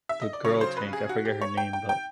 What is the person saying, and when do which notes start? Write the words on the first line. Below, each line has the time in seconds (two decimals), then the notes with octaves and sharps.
the girl tank, I forget her name, but,
0.09 E5
0.22 D#5
0.33 D5
0.45 C#3 F#3 C#5
0.61 C5
0.77 B4
0.93 G#4
1.09 F#4
1.25 G4
1.42 C#5
1.57 G5
1.73 G5
1.89 G5